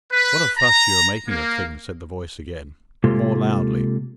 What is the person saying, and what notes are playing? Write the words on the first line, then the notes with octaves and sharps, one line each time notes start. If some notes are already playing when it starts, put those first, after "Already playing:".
"What a fuss you are making of things," said the voice again, but more loudly.
B4
A#5
A#3
C3 G#3 A#3 F4 G4 A4